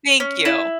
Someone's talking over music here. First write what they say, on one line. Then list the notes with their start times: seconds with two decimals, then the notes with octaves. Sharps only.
Thank you.
0.20 C#4
0.45 E4